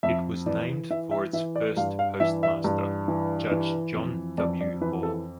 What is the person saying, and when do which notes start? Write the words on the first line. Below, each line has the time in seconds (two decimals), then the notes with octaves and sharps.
It was named for its first postmaster, Judge John W. Hall.
0.03 F2 E5
0.46 E3 D5
0.90 E3 E5
1.11 E5
1.33 E3 E5
1.56 D5
1.77 G2 F5
1.99 F5
2.20 E3 E5
2.43 E5
2.64 G2
3.08 E3
3.51 E3
3.94 F2
4.38 F2 D5
4.61 D5
4.81 E3 B4
5.03 A4